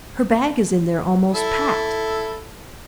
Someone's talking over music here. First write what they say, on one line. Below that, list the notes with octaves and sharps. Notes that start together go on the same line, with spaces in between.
Her bag is in there almost packed.
E4 A4